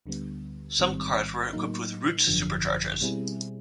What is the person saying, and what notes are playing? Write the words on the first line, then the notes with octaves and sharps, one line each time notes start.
Some cars were equipped with Roots superchargers.
D2 D3 G3 B3
A1 G#2 D#3 G3 C4
A2 F#3 A#3 D#4
G#1 F#2 D3 F3
B2 G3 C4 E4 G#4